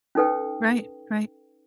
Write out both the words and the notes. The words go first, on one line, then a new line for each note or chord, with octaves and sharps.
Right, right.
C#4 D#4 A4 B4 G5